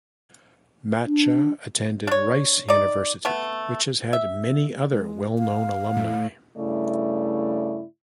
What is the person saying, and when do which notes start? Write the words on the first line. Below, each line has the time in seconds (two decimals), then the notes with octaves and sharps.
Macha attended Rice University, which has had many other well-known alumni.
1.06 D4
2.07 D4 C#5
2.69 D#4 D5
3.25 A3 B3
4.13 E5
4.91 G#3
5.39 F5
5.96 A2
6.57 G2 C#3 A3 E4 D5